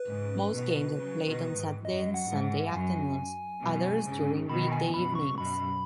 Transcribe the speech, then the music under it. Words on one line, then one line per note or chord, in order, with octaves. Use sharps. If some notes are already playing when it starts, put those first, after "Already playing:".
Most games are played on Saturday and Sunday afternoons; others during weekday evenings.
Already playing: B4
G#2 C#3
B2 D#3
C#3 F#3
B2 D#3
G#2
F#2 D#5
F#5
G#2
F#5
F#2 G#5
F#2 B2
G#2 C#3
B2 D#3 B5
G#5
F#2 B2 B5
C#6
F#2 B2 B5